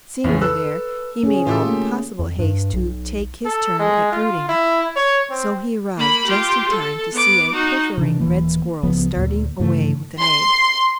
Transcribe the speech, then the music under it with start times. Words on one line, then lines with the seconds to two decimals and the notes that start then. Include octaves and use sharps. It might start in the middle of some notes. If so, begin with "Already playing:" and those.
Seeing her there, he made all possible haste to take his turn at brooding, so he arrived just in time to see a pilfering red squirrel starting away with an egg.
0.24 A#1 F2 C#3 E3
0.41 A4 B4 E6 F#6
1.23 C#4 G#4
1.47 A2 F4 G4 A4
1.64 A3 A#3
2.19 F2
2.39 G2
2.73 B1
3.45 A4
3.79 G#3
4.12 F4
4.49 E4
4.96 C#5
5.30 C4
5.97 A#3 B5
6.26 F4 G4
6.71 A4
7.12 B3 D6
7.51 D#4 F#4
7.98 C3 E3 D4
8.19 D#1 E3 A#3
8.83 C#2 F3 B3
9.16 D2 A#2
9.60 G2 C#3 E3 A3
10.19 C6